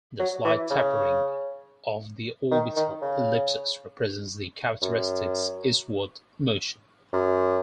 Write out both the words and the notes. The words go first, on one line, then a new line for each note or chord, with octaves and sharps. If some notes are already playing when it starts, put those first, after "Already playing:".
The slight tapering of the orbital ellipses represents the characteristic eastward motion.
F#3
E3
C#3
D#3
D#3
C#3
F#2
F#2